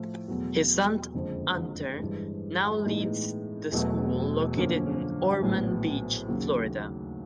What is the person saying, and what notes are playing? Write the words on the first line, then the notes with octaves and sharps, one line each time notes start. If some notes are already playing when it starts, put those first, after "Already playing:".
His son Hunter now leads the school, located in Ormond Beach, Florida.
Already playing: A2 F3 A3
E2 B2 F#3 A3
F#1 F2 D3 F3 G#3
G2 E3 G#3
A2 E3 G#3 B3 D#4
E1 E2 B2 F#3 A3
F#2 D3 F3 A#3 C#4
A#1 A2 F#3 B3
D#2 C#3 F#3 A#3